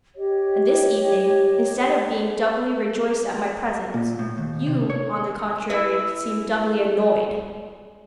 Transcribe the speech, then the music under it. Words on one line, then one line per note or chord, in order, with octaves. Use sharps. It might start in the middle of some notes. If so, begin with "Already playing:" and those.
And this evening, instead of being doubly rejoiced at my presence, you, on the contrary, seem doubly annoyed!
G4 C#5 D#5
A#2
A2
D#2
C3
C#5
E4 B4 E5